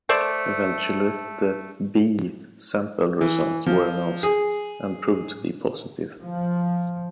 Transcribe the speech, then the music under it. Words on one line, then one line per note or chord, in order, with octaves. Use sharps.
Eventually the 'B' sample results were announced, and proved to be positive.
A3 C5 D5 E5
E3
F3
G#4
F3